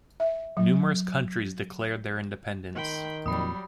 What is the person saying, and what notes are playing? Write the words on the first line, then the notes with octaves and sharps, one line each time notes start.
Numerous countries declared their independence.
E5
F#3
D#3 G5 B5 C6
F2 A#2 F#3 G3 B5 D#6